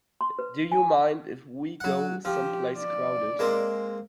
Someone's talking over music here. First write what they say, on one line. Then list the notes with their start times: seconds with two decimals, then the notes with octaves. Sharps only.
Do you mind if we go someplace crowded?
0.21 C6
0.39 B4
0.72 G#5
1.80 F#3 F#5
2.25 F3 G4
2.77 D5
3.39 G#3 A#3 C4